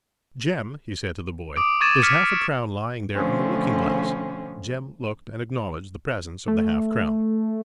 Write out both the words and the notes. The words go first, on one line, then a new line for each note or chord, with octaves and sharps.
"Jem," he said to the boy, "there's half a crown lying there on the looking-glass." Jem looked and acknowledged the presence of the half-crown.
D6 D#6 D7
C#6 D6 G#6 A6 D#7 E7
D6 F6 B6 C#7
B2 D3 F3 A3 C4 C#4
A3